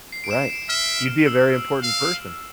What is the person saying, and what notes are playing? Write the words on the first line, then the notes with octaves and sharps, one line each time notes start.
Right, you'd be a very important person.
C7
D7
E7
D7
E5 F6
E6
F5